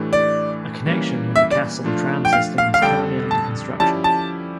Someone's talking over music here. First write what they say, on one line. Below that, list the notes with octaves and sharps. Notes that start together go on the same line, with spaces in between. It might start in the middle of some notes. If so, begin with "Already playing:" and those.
A connection with the Kassel tram system is currently under construction.
Already playing: A2 E3 A3 D4 G4
D5
E3 G3 A#3 C#4
E5
D5
F3 A3 D4 F4
G5
F5
F5
F5
F2 D3 G3 D4 A4 G5
A5
F3 C#4 E4 G4 D5 A5
A5